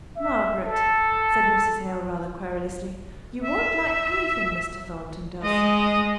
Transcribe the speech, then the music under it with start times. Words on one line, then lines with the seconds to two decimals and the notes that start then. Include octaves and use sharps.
'Margaret!' said Mrs. Hale, rather querulously, 'you won't like anything Mr. Thornton does.
0.16 E5
0.66 A4
3.44 E5
5.44 G#3 D#5